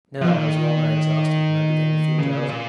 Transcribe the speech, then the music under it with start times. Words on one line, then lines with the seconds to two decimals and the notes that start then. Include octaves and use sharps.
Now I was well-nigh exhausted, and began to feel drowsy.
0.21 F3
0.31 D#3
2.18 C#3
2.49 A#2